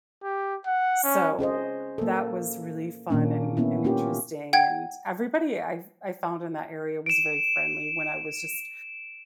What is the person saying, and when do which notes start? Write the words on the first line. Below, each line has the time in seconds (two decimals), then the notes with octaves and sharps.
So that was really fun and and interesting, and everybody I've I found in that area was very friendly when I was just
0.23 G4
0.66 F#5
1.03 C#4
1.39 C#4 G#4 C5 D#5
1.98 A#3 A4
3.10 A#2 D#3 A#3 C#4 D4
3.57 A#3 B3 C#4 E4
3.84 A#3 C#4 F4 G4
4.53 F#5 G5 G#6
7.06 D7 E7